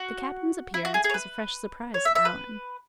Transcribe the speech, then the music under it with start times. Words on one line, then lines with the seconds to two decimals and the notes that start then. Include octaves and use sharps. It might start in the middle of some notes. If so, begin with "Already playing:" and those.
The Captain's appearance was a fresh surprise to Alan.
Already playing: F#4
0.74 E4
0.85 F#4
0.94 G#4
1.04 G#4
1.10 C#5
1.14 B4
1.94 C#5
2.05 E5
2.15 E5
2.25 B4